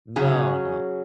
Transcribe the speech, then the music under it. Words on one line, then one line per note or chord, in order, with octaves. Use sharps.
No, no.
C#3 F#3 C#4 G#4